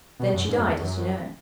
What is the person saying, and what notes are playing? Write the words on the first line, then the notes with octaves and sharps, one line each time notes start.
Then she died, as you know.
B2
F#2
G#2
F#2
E2
F#2